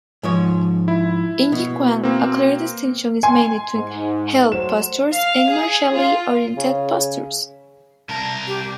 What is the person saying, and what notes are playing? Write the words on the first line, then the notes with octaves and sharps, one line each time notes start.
In Yiquan, a clear distinction is made between "health" postures and "martially oriented" postures.
G#2 F3 C#5
E4
B2
A#3 C4
G#5 C6
G#2
F#3 A3 C5 E7
F5
G#4
F4
C#3
C2 A#4 A5
G4